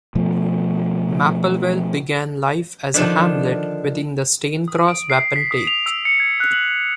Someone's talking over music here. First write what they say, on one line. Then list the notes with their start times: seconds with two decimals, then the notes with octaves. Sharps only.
Mapplewell began life as a hamlet within the Staincross Wapentake.
0.15 B2 F3 A3
2.94 D3 D#3 F3 D4
4.68 D#6
4.88 D7
5.10 C7
5.36 B6
5.51 D#6
5.67 F7
5.86 E6
6.05 C#7
6.20 G#6
6.40 F#6
6.53 F#7
6.69 F#6